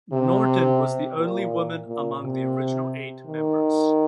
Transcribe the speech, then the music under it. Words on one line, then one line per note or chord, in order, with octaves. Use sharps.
Norton was the only woman among the original eight members.
C3
A#2
A#2
C3
D#3